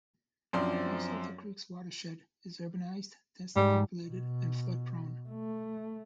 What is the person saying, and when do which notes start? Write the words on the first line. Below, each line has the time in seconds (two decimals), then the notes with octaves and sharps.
Most of the creek's watershed is urbanized, densely populated and flood-prone.
0.53 F#2 F3 C4 D4 D5 C6
3.56 G#2 G3
4.06 B2
5.29 A3